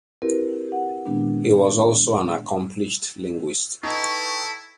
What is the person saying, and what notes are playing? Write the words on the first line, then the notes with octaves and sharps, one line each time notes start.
He was also an accomplished linguist.
C4 E4 F#4 G4 A#4 B4
G4 F#5
A#2 D#3 G#3 B3 C4 D4
D#4 E4 A4 B4 G5 C#6